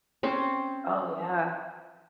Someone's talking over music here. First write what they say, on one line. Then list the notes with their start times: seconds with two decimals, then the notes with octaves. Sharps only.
Oh, yeah.
0.23 C4 C#4 C5